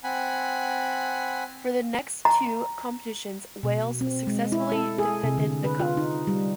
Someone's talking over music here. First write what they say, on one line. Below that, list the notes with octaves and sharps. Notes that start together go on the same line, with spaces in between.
For the next two competitions Wales successfully defended the cup.
C4 F#5 G#5 B5
A#5
B2
C4
G#3
E4
A4
G#4
C3
D3
B4
F4
D#4
G3